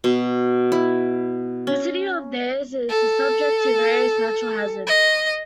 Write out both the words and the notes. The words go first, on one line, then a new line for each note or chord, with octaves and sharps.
The city of Thiers is subject to various natural hazards.
B2
E4
C#4
A4
D#5